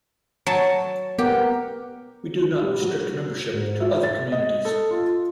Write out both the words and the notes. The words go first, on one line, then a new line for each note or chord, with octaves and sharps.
We do not restrict membership to other communities.
F#3 A5
B3 G4 A#4 F#5
G3
F#3
G#2
E5
A6
D#5
A4
F4